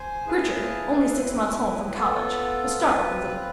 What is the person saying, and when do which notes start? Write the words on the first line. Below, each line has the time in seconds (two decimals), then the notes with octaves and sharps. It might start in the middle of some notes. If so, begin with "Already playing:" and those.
Richard, only six months home from college, was startled a little.
Already playing: C5 G#5
0.26 E4 G#4 B4 F5 A5
1.11 C4 E4 B4
1.95 B3 F4 A4
2.80 C4 F4 B4